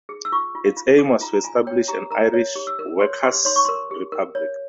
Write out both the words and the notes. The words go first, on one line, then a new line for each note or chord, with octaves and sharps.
Its aim was to establish an Irish workers' republic.
G#4
E6
F4 C#6
F4
F5
F4
G#4
F4 A#5
A#5
F4 G#5
C#5 G5
G4 A#5
A#4 A#5
C#5
G4
E6
A#4
C#5 C6
G4 C6
C#5 C6
C#6
A#4 C6
G4
A#4
C#5